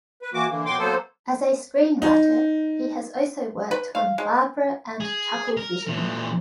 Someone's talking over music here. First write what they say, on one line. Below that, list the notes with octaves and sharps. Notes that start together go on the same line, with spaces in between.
As a screenwriter, he has also worked on "Barbara" and "ChuckleVision".
B4
E3 A#3 F#4 D6
D3 E3 A#3
B2 F#3 G5 C6 D6
F#3 A#3 B3 A4 C5
D#4
B4
F5
G#3
G#4
A#4
A#2 E3